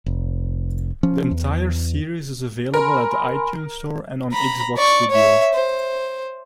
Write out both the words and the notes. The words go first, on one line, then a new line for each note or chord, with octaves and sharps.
The entire series is available at the iTunes Store and on Xbox Video.
F1
F3 C#4
E2
A#4 G#5 B5 C6
A#5 B5
D5 C#6
C#5 E5
C5